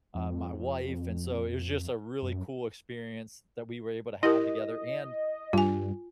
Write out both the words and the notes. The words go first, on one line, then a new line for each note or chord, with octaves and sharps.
uh, my wife and so it was just a really cool experience that we were able to have together, and,
F2
F#2
E4 G4 A#4 D#5
G2 F4 G#5